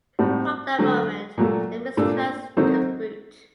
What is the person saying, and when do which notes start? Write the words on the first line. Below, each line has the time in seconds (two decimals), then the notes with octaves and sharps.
From that moment the mistrust took root.
0.19 A2 G3 C4 D#4 F#4
0.78 D3 F#3 A3
1.38 A#2 F#3 A3
1.97 A#2 A3 D4 A4
2.57 D#3 F#3 C4 D#4 A4